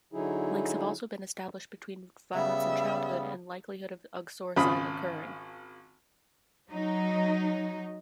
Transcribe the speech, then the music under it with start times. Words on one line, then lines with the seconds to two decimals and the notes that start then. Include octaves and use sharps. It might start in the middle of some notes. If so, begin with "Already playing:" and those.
Links have also been established between violence in childhood and likelihood of uxoricide occurring.
0.13 D3 F#3 D#4 E4 G#4
2.34 C#3 G3 B3 E5
4.56 G#1 C#3 F4 B5 D#6
6.71 F#3 D#4